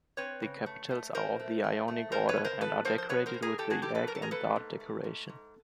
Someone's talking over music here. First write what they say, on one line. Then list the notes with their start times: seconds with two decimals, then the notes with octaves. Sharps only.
The capitals are of the Ionic order and are decorated with the egg-and-dart decoration.
0.17 C4 B4 C#5
0.42 C#3
0.66 A3
0.91 A3
1.15 A3 A#4 C5
1.39 A3
1.64 A3
1.88 A3
2.12 G#3 A#4 C5
2.29 B4 C#5
2.36 B2
2.44 A#4 C5
2.61 F3 A4 B4
2.85 F3 A#4 C5
2.98 C5
3.09 B3 B4 C#5
3.26 A#4 C5
3.34 A2
3.42 G#4 A#4
3.58 A2 G4 A4
3.70 F#4 G#4
3.82 A2 G4 A4
3.95 A4 B4
4.07 F#3 A#4
4.15 A4
4.22 G#4 A#4
4.31 A#3 A4 B4
4.56 G#2
4.80 A3
5.04 G#2
5.29 G#2